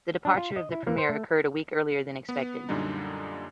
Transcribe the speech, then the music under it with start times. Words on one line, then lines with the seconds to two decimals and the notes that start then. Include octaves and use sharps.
The departure of the premier occurred a week earlier than expected.
0.25 D4
0.38 F4
0.56 D#5
0.72 E4
0.87 A#3
0.98 C5
1.09 A3
2.29 B3 B4
2.69 F#2 A#2 D3 G3 D4 D#4